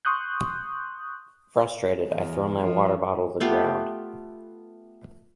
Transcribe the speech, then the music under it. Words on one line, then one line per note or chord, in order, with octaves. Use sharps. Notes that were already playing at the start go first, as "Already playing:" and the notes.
Frustrated, I throw my water bottle to the ground.
C6 C#6 D#6 F#6 G6
E2
F3
A3 B3 F4 G4